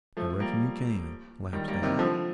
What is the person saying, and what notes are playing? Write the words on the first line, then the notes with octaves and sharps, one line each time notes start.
"I reckon you can," laughed Hale.
F3 A3
G3 A#3
D#3 G3
G3 A#3
C3 D#3
D3 F3